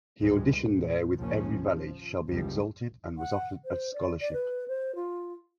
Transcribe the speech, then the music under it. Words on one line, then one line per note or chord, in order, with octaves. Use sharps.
He auditioned there with Every Valley Shall be Exalted and was offered a scholarship.
D2 A2 E3 G3 G#3
A#2
A#1 D#2 C#3 F3 A#3 C#4
F3
F#1 C#2 C#3 F3 G3
F#5
C5
D5
D5
B4
C5
F4